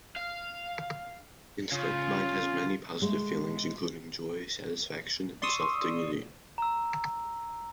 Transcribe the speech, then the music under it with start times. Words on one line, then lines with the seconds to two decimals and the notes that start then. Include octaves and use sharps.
Instead the mind has many positive feelings including joy, satisfaction and self-dignity.
0.17 F5
1.72 C#3 F4
3.02 G#3 A3
5.42 D5 C6 C#6 D#6 E6
6.58 A#5 E6